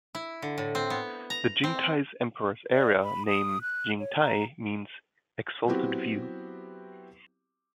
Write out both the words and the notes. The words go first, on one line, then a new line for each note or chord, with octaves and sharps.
The Jingtai Emperor's era name, "Jingtai", means "Exalted View".
E4
D3
A2
C4
B3
A#5
C4
D5
B5
D#6
F#6
C#5
A#5
F#3 B3 C4 E4 F#4 G4